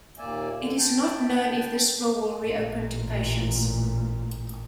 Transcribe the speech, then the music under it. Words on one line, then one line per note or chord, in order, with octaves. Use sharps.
It is not known if this floor will reopen to patients.
D#2 A#2 A#3 D5 E5 G#5
F2 D3
G5 A5
A1 A#2